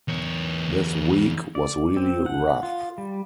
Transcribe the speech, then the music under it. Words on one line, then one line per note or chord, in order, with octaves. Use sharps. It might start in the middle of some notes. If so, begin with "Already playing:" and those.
This week was really rough.
E2 C#5
D5
C4
F#5
F4
G3